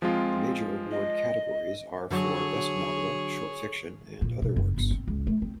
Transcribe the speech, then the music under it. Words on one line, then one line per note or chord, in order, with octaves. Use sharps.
The major award categories are for best Novel, Short fiction, and Other works.
F3 G#3 C4 F4
D#5
D3 F#3 G#4 C#5
A#2
B2
F#1
G1
C4
C#2
A3
C4